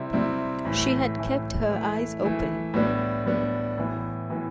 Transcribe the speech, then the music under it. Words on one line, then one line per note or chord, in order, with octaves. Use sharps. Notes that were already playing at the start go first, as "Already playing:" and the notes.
She had kept her eyes open.
Already playing: C3 G3 C4 E4
C3 G3 C4 E4
A2 E3 A3 E4
A2 E3 A3 E4
E3 A3 E4
E3 A3 E4
A2 G3 B3 D4
A2 G3 B3 D4
A2 E3 B3 E4
A2 E3 B3 E4